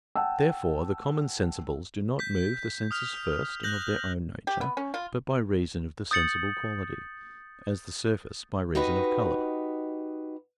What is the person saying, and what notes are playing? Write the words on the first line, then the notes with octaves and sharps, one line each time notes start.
Therefore the common sensibles do not move the senses first and of their own nature, but by reason of the sensible quality; as the surface by reason of color.
F#5 G5 A5 E6
G6 B6
D#6 F6 F7
F#6 G6 A#6 F#7
G4
B3
C#4
F4
D#6 G6 A6 C#7 F#7
D#4 F#4 G4 B4 D#5